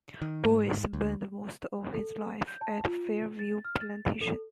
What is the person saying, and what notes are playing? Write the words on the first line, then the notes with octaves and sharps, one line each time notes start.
Bowie spent most of his life at Fairview Plantation.
D#3
G#2
D2
A4
G6
A5
F4
A6
F6
A6
A4